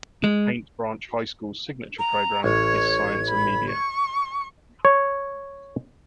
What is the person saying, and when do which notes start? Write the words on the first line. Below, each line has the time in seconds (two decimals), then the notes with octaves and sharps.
Paint Branch High School's signature program is Science and Media.
0.24 G#3
1.99 A#5
2.44 A1 C#5 G#6
3.29 B5
3.70 C#6
4.85 C#5